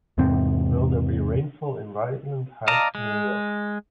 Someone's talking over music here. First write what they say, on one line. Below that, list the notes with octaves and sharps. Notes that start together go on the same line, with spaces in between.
Will there be rainfall in Ryland Heights New York?
E2 G#2 C3 C4
D5 D#5 F5 A5 A#5
G#3